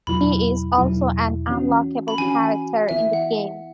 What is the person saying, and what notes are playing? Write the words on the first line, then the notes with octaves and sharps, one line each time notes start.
He is also an unlockable character in the game.
E2 B2 F#3 E4 B5
E2 B2 F#3 E4
E3 C#4 F#4
B5
E3 C#4 F#4 G#5
E3 B3 E4 E5
F#5